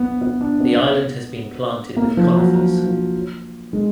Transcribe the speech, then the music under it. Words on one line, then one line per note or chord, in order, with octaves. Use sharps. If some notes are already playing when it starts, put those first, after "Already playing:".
The island has been planted with conifers.
Already playing: B3
B3
D4
B3
A#3
F3
F#3
F#3
F3
G#3